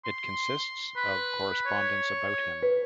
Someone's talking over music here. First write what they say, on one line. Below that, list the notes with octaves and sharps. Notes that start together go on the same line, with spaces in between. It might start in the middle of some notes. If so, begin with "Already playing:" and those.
It consists of correspondence about him.
C6
B4
C#5
B4